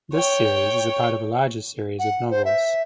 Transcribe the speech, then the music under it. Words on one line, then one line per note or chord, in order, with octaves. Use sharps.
This series is part of a larger series of novels.
C#5 G5
F#5
C5
E5